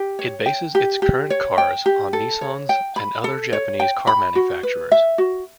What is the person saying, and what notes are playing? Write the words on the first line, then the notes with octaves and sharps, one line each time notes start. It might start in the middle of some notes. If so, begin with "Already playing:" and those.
It bases its current cars on Nissans and other Japanese car manufacturers.
Already playing: G4
C#5
G5
G4
G4
C#5
G5
G4
A4
C#5
G5
B5
A4
C#5
G5
B5
F#4
B4
E5
F#4